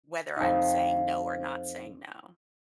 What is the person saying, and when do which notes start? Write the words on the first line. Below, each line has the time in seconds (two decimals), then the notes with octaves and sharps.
whether I'm saying no or not saying no,
0.37 F2 D#4